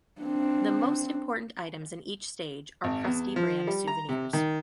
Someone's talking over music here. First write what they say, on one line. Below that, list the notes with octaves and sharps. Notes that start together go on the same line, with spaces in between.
The most important items in each stage are Krusty-brand souvenirs.
C4 D4
G#1
E2
F3
G3
A#5
C3
D#3